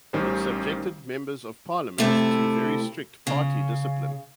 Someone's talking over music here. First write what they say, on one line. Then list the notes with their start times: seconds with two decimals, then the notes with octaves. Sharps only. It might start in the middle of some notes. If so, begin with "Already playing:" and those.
It subjected Members of Parliament to very strict party discipline.
0.13 A1 D#3 G3 C#4 G4 C5
1.98 C3 A3 E4
3.27 C#3